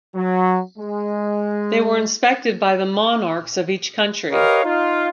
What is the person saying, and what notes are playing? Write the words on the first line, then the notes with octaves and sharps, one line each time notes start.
They were inspected by the monarchs of each country.
F#3
G#3
G4 A#4 B4 C#5 D#5 F5
D#4 F4